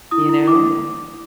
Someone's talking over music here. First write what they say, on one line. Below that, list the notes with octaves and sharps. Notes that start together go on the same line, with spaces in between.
You know?
E4 D#6
E4
E4 D6